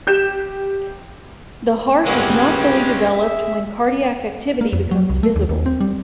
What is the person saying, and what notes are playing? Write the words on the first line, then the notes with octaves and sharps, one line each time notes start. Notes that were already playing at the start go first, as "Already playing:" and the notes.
The heart is not fully developed when cardiac activity becomes visible.
G4 G6 E7
G2 F#3 G#3 A#3 C#4 F4 G4 B4
G#4 E5
A#3
F2
F#3
C2
A3
D#2
D#2
C4
G3